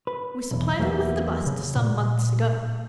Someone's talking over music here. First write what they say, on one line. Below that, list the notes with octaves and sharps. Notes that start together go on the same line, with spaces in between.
We supplied him with the bust some months ago.
B4
B1 E2
E2 F#3 A#3 B3 E5
C#3
A#2